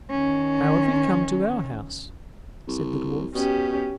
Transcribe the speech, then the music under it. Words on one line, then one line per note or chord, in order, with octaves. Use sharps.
"How have you come to our house?" said the dwarfs.
D#3 C#4
C2
B2 C#4 G4